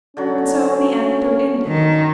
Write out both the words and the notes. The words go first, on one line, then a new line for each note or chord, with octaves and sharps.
And so the anecdote ended.
D3 F#3 C#4
D#3